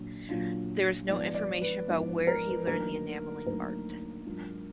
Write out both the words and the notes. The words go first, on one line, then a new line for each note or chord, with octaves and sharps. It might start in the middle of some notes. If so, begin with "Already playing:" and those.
There is no information about where he learned the enameling art.
Already playing: A#2 F#3 D4
A#2 F#3 D4 F4
G#2 F3 B3 D5
D5
B4
G#2 F3 B3
A#4
B4
D2 D3 F#3 A#3 D#4 A#4
D2 D3 F#3 A#3 D#4 A#4
G#2 F#3 D4 F4